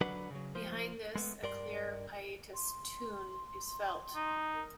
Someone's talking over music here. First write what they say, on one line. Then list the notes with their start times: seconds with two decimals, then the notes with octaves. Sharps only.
Behind this a clear pietist tune is felt.
0.01 D3 F#3 D4 B4 F#5 B5
0.31 C#3 F#3
0.55 F3 A#3 C5
1.16 G#3 A3 B3
1.43 G2 A#4 D5 C6
2.53 C6
4.16 D#4
4.53 A#4